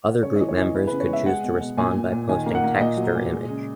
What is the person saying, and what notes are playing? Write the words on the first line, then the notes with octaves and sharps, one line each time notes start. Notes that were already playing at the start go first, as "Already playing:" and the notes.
Other group members could choose to respond by posting text or image.
C#3 C#5
E3 D#5
C#5
E3 D#5
B3 B4
C#3 B4
C#5
G#3 E5
G#3 F#5
B2
B2
A#2 G#5
A#2
A#2
D#3 G#5
A#3
F#5
A#3
A#2 D#5
F#3
A#2
G#3
C#3